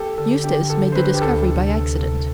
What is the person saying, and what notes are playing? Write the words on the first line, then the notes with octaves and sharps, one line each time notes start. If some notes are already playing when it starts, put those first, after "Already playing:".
Eustace made the discovery by accident.
Already playing: G4 A4
D3 A4
D4 G4
D3 A4
C5
D4 B4
G4
D2 A4
C3
D2
C3